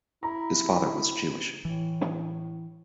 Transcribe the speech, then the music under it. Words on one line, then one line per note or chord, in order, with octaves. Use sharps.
His father was Jewish.
E4 A#5
A2 E3